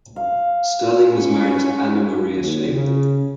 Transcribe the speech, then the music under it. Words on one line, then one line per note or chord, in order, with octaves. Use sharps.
Sterling was married to Anna Maria Shaver.
F5
C#4
D#2
C#3